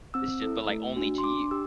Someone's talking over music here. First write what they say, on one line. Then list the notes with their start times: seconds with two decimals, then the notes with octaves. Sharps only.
It's just but, like, only to you.
0.14 C4 E6
0.42 E4 A4
0.69 A3
0.96 D4 F#4
1.18 C6
1.24 D4 D6
1.51 G4 E6